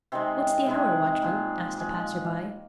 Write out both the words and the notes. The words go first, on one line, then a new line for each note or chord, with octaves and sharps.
"What's the hour, watchman?" asked a passer-by.
C3 D#3 G#3 C4
C3 D#3 G#3
A#2 G#3 A#3
A#2 G#3